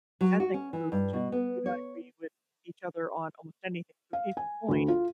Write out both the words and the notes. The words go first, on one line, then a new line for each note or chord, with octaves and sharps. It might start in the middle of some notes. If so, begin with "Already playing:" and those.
ethnic groups just do not agree with each other on almost anything, so case in point
F#3
F#4
C#4
E3
G2
B2
B3
C#5
F5
G#5
D2
F4